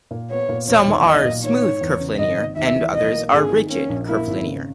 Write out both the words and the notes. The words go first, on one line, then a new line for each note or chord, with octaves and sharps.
Some are smooth curvilinear and others are ridged curvilinear.
A#2
B3 C#5
A#2
E1 C#5
D#2
B1 D#5
A#2
D#3 C#5
G#2
E2
C#3
G#1 D#5
G#1
D#2 E5
E3
B1 D#5
A#3
G#1 G#4
D#3
A#3 C#4
A#1
A#3 E4
G#1
C#3